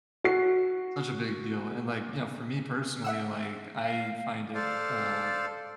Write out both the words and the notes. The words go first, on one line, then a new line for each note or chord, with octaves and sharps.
such a big deal, and, like, you know, for me personally, like, I find it, uh,
F#4 C7
E5 F#5 E6
F5
A4 C5 D5 F5